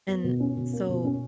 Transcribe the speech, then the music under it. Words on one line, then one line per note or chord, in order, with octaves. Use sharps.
And so,
B3
B2
C#4
B2
A#3
B2
C#4